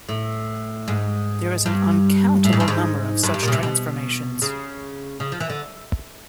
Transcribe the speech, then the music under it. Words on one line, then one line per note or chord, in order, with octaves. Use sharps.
There is an uncountable number of such transformations.
A2
G#2
G2
A2
G#2
G2
G#2
G2
G2
A#2 C#3
C3
B2
C#3
C#3
F3
E3
D3